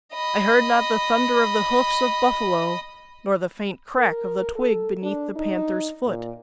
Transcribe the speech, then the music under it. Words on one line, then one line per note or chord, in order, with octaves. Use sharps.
I heard not the thunder of the hoofs of buffalo, nor the faint crack of the twig beneath the panther's foot.
D#5 B5
A#4
A4
D4
D#4
A#2